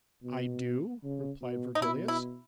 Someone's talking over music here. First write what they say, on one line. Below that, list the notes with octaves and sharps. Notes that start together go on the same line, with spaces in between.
'I do,' replied Virgilius.
B2
C#3
B2
D#4
B2 E4
E4